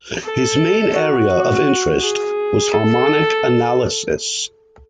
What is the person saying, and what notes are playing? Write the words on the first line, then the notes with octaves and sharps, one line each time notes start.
His main area of interest was harmonic analysis.
A4
F#4
G#4
A4